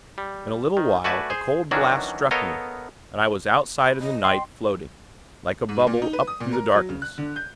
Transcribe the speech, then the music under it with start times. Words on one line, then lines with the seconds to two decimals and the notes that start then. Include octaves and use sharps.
In a little while, a cold blast struck me, and I was outside in the night, floating, like a bubble, up through the darkness.
0.18 G3
0.77 D#3
1.04 A3 F#4 B4 D5 G#5 A5
1.30 G#4 C5
1.71 D#3 E3 F#3 C#4 D4 F#4
2.31 B3 A4 A#4 C#5 D#5 F5
3.78 B4
4.00 D#5
4.24 G5 C6 D6
5.69 G#2
5.87 A#2
6.02 D#4
6.13 B4
6.27 D#6
6.40 A#2
6.53 A#4
6.75 F#3
6.89 C#3
7.02 F#6
7.18 D3
7.36 G6